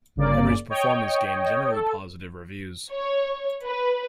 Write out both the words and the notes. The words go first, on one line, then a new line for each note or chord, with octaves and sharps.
Henry's performance gained generally very positive reviews.
G1 C#3 A#3 D5
C#5 D#5 G5
A4
C#5
B4